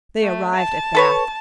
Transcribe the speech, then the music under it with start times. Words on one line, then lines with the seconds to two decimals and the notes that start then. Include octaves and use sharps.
They arrived at Bath.
0.21 A3
0.55 A5
0.95 A4 B4 C#5